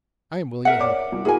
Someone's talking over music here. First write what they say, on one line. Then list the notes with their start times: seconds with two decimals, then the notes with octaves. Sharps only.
I am willing to help you.
0.65 A#4 E5 F#5
0.78 C#5 D5 D6
1.12 C2
1.25 E4 F#4 G#4 A#4 G#5